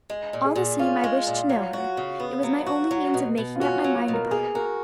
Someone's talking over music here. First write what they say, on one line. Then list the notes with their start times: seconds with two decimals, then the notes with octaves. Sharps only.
All the same, I wished to know her; it was my only means of making up my mind about her.
0.10 G#3
0.33 A#2
0.44 G#4
0.56 A#2
0.79 C#4 F4
1.04 G#3
1.27 A#2
1.49 F#3
1.73 F#4
1.97 C#3
2.20 B3
2.43 F#3
2.66 F#4
2.91 F#3
3.14 B2
3.37 B2
3.56 F4
3.60 C#4 F#4
3.84 F#3
3.96 F#4
4.08 B2 A#4
4.31 A#3 G#4
4.55 F#4 A#4